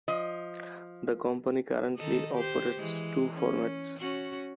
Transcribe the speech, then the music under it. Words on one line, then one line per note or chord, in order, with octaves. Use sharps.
The company currently operates two formats.
F3 D#5
D#3 A4 D#5
G4 C5
E3 G#3
C#4
C#4 F#4